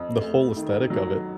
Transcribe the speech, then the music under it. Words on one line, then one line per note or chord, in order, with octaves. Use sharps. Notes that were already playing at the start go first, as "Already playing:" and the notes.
the whole aesthetic of it.
Already playing: F2
A3
D#3
F#3